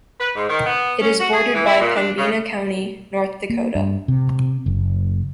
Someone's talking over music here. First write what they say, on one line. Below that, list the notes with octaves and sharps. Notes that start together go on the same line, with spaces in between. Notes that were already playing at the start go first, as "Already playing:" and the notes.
It is bordered by Pembina County, North Dakota.
B4
G#2
D#3
B3
C#4
F#4
G#4
E3
E4
A#2
D4
C#3
A#3
G2
C3
F#1